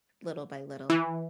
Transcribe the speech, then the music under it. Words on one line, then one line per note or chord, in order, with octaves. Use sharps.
little by little.
E3